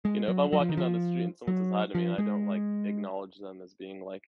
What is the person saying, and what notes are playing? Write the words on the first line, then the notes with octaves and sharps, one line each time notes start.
you know, if I'm walking down the street and someone says "Hi" to me and I don't, like, acknowledge them as being, like,
G#3
F#3
F#3
F3
D#3
F3
F#3
F3
G#3